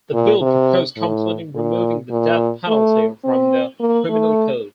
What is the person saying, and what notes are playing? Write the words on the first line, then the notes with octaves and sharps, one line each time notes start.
The bill proposed completing removing the death penalty from the Criminal Code.
A#2
C3
A2
A#2
A#2
A3
C4
A#3
A3